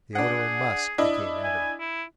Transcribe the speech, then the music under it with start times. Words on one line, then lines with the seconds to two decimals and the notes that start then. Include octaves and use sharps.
The odor of musk became evident.
0.15 D4 G#4 F#5
0.98 D4 E4 D#5
1.44 G#5
1.80 E4